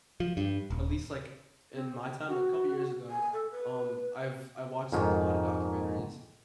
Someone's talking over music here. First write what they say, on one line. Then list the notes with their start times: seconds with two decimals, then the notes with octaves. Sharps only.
at least, like, in my time, a couple years ago, um, I've I watched, like, a lotta documentaries
0.20 F3
0.37 G2
0.70 D#1
1.73 C4
2.00 G5
2.28 F#4
3.09 G#5
3.33 A4
3.51 B4
4.92 F2 G#2 D#3